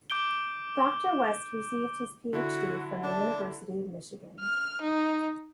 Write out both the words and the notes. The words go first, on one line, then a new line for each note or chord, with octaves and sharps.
Doctor West received his Ph.D from the University of Michigan.
D6 G6 D7 G7
D3 E4 F#4
D4 A5
F6
D#4